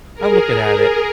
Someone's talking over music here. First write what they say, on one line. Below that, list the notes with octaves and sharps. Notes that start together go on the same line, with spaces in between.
I'm looking at it.
G#4 A#4